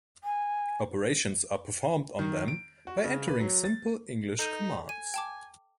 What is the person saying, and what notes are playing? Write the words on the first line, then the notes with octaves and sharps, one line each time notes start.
Operations are performed on them by entering simple English commands.
G#5
D#3
D7
F#4
C#3
B4
F#3
A6
D#4 A4 G6 D#7
G#5 D#7
G5 A5 D6